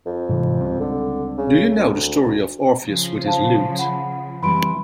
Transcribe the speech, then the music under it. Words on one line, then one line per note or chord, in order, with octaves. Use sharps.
Do you know the story of Orpheus with his lute?
F2
G#2 C3 E3
C#2 G3 C4
D3
C#3
D2
C#3 F3
C5 F5 A5
F#5 B5
E3 G3 C4 B5 C6 D7